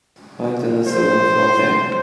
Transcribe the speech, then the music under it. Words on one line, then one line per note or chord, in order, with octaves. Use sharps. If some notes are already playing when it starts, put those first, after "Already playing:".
Right on the second floor there.
C5